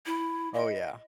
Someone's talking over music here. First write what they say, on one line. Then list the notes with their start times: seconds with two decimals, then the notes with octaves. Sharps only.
Oh, yeah.
0.06 E4
0.54 D#5